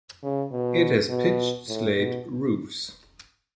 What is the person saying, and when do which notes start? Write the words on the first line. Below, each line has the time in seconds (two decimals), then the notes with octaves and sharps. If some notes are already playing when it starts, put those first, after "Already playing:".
It has pitched slate roofs.
0.23 C#3
0.52 B2
1.09 B2
1.68 A2
1.97 B2